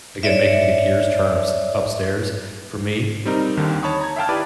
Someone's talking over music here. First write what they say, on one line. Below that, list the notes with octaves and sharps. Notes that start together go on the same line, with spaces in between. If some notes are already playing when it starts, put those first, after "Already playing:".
again, making the gears turn ups upstairs for me.
C#5 D5 E5
G3 C4 D#4 A#4
D#2 D3 D#3 G3
C#5 A5 B5 C#6 D#6
A#5 G#6
E5 F5 G5 A5 F6
E4 G4 B4 D5 D6